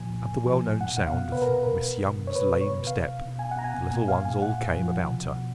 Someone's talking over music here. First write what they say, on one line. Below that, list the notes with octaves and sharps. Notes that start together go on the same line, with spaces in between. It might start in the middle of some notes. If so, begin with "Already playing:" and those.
At the well-known sound of Miss Young's lame step, the little ones all came about her.
Already playing: A#2 F3 G#5
A#2
A#2
F3
A#2
B2 F#5
B2 F#5
F5
B2
B2 B4
A#4
B2
B2 A#4
B2
B2
B2
C#5
B2 B4
B2
C#5
B2
B2 F5
B2
B2
B2 G#5
F#5
B2 A#5
G#5
B2
A#2 G#5
A#2 F5
A#2 G#5
A#2 F#5
A#2
F3
B2
B2
B2